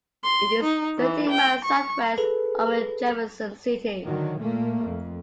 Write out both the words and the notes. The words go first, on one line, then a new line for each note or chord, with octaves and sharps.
It is thirty miles southwest of Jefferson City.
C6
D#4
E3
G5
C#6
G#4 A4 B4
D3 D#3 F#3
A#2 A3 A#3
F2